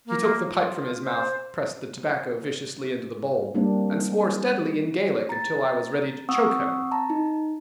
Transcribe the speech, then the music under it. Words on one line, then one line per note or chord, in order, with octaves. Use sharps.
He took the pipe from his mouth, pressed the tobacco viciously into the bowl, and swore steadily in Gaelic until I was ready to choke him.
A#3
F4
C5
G3 A#3 C4 D4
A#5 A6
C4 F#5 C#6 D#6 E6
A5 A#5
D#4